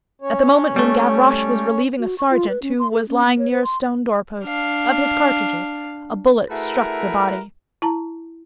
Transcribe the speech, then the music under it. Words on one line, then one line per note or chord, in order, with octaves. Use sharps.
At the moment when Gavroche was relieving a sergeant, who was lying near a stone door-post, of his cartridges, a bullet struck the body.
C#4 C#5
G3 A3
F#4
C#6
F4
B4
C#4
C6
A4
C#4
B3
C#5
C5
C6
D4 F5
A3 E4 F#4 G#4 A#4 B4
E4 A5 A#5